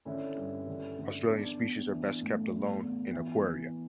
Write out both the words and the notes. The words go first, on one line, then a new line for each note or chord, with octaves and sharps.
Australian species are best kept alone in aquaria.
D3 C#4 E4
G2
D3
D3
E2 D4
E2 D4
E3 D4
A2
E2
E2
E3
E3